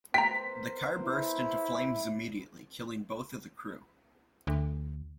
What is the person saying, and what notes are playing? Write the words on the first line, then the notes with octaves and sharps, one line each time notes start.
The car burst into flames immediately, killing both of the crew.
B3 A#4 C5 G5 A#5 B6
E4
D2